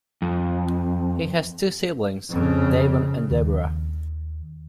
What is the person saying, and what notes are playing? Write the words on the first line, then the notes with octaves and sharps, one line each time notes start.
He has two siblings, Davon and Deborah.
F2
F2 C#3
D#2